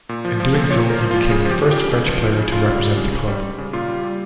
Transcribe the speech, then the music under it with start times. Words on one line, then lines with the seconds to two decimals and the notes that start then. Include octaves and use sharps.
In doing so, he became the first French player to represent the club.
0.09 A#2
0.25 F3
0.40 F3
0.54 A#2
0.70 A#2 C#5
0.86 F3 A#4
1.01 F3
1.11 F4
1.16 A#2
1.30 C#3 G#4
1.45 F3
1.51 G4
1.62 F3
1.71 G4
1.76 C#3
1.91 C#3
2.06 F3
2.22 F3
2.37 C#3
2.51 C#3 F4
2.67 G3
2.83 G3
2.97 C#3
3.13 C#3
3.28 G3
3.43 G3
3.58 C#3
3.73 A#2 F4
3.88 G3
4.03 G3